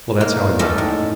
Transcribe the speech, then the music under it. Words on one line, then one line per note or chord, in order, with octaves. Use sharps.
Well, that's how he walked.
A#3
G#3 A3 C#4 D#4 A4 D5
A2